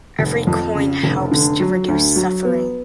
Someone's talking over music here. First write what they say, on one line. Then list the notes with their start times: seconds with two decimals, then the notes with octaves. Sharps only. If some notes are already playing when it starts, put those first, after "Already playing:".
Every coin helps to reduce suffering.
0.19 F1
0.47 F2
0.75 C#3
1.03 F1
1.31 D3
1.60 F#3
1.88 D2
2.16 F#3
2.45 B3